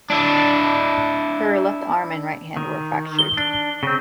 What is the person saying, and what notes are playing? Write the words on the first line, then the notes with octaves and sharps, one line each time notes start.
Her left arm and right hand were fractured.
D4 E4
D#3
G7
D4
C#3 C4